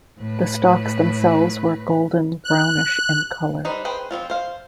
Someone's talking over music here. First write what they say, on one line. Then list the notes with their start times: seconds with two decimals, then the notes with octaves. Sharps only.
The stalks themselves were golden brownish in colour.
0.20 A2 B4
2.45 F#6
3.65 G3 D#4 B4 C5
3.85 G#4 B4 C5 G5
4.11 F3 F#3 C4 F4
4.30 C5 F5